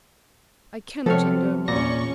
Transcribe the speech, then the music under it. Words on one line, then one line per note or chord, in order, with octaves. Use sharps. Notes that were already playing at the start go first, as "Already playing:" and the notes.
I cannot endure more!
C3 F3 B3 C4 A4 C#5 F6
E2 A#2 C#4 D5 C#6 A#6